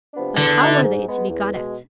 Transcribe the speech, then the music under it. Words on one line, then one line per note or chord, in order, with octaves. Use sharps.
But how were they to be got at?
C3 F3 B3 D4
E2 D3
B2 A3 E4
G#2
G#3 B3
E2
B2 G#3